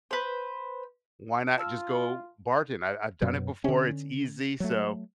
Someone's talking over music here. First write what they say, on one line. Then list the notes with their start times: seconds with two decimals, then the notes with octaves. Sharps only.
why not just go bartend? I I've done it before, it's easy," so,
0.11 B4 C5
1.58 F4 A5 E6 F6
3.22 F#2 B2 F#3
3.64 D3 C#4
4.60 F#3 A3